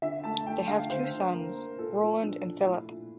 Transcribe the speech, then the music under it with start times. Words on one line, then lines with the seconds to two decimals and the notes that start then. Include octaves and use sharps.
They have two sons, Roland and Philip.
0.02 D3 E5
0.23 A3 A5
0.46 A3 G5
0.68 D3 F5
0.90 D3 C5
1.12 D3
1.34 A#3 A#4
1.57 A#3
1.79 A#2 A4
2.01 F3
2.22 A#2 D4
2.45 A#2
2.66 A3 E4
2.89 A#2